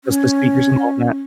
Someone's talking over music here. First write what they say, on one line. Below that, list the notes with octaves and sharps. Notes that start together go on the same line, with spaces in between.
just the speakers and all that.
C#4